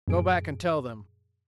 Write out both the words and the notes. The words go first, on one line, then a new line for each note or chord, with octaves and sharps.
Go back and tell them.
F#2 A#2 F3 G#4 D7